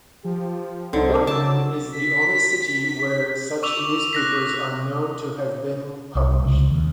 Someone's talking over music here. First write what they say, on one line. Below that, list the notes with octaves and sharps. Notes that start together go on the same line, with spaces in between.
Portland is the only city where such newspapers are known to have been published.
F3 G4
C2 D3 C4 D#4 A4 C5
C#3 F#3 A5 D6 E6
B6
C#6 D6 E6 F7
F#6 A#6 B6
C2
C#2
D#2